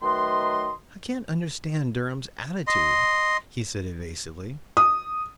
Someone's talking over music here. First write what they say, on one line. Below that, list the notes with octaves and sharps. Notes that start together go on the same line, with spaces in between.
"I can't understand Durham's attitude," he said evasively.
D#3 F#3 A3 B4 D#5 C6
D#5 C6
D#6